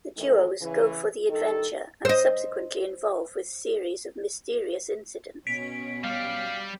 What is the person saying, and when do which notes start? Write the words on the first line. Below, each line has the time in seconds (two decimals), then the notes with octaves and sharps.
The duos go for the adventure and subsequently involve with series of mysterious incidents.
0.17 F2 A2 D#3 E3 G#3 A3
0.61 C#3 E3
1.29 G2 D#3 D#4 A4
2.05 C5 D#5
5.47 B2 C#4 B6 D7
6.04 G3 F5